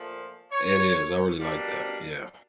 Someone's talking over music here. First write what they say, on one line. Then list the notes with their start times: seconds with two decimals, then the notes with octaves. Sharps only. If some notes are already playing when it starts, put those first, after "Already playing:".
It is, I really like that, yeah.
Already playing: A#2 F3 A3
0.52 C#5
1.40 B2 G3 A#3 D4